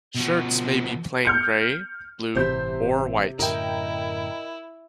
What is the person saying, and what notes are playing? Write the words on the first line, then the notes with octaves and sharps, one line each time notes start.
Shirts may be plain grey, blue or white.
B2 F3
F6 G6 C#7
G1 A2 C3 E3 C5 E5 G6
F#2 A2 D3 E4 A#4 D#5 G5